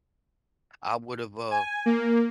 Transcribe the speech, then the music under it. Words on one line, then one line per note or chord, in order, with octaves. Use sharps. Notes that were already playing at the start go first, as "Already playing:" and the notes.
I would 've uh,
G#5
A#3